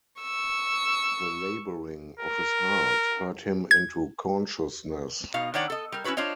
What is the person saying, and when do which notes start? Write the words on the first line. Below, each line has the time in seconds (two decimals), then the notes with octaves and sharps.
The labouring of his heart hurt him into consciousness.
0.22 C#6 E6
2.19 A#4
3.71 G#6
5.34 B2 D#4 F5
5.54 D#3 D4 C#5 D5 F#5
5.70 A4 D#5
5.92 G3 A#4
6.04 C#4 E4 F#4 B4 C#5
6.17 D4 F4 C5 C#5 D#5